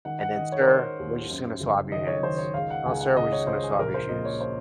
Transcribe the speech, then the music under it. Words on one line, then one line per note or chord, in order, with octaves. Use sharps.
And then, "Sir, we're just gonna swab your hands. Oh, sir, we're just gonna swab your shoes.
D#3 F#5
F#5
D#3 D#5
C#5
A#4
D#3 C5
D#2
F#2
F#1
D#3 D#5
C#5
D#3 C5
C#5
C#2 F5
F#5
C#2 G#5
F#5
C#2 D#5
C#5
C#2 C5
G#4
A#1 A#4
C5
A#2 D#5
C#5
C5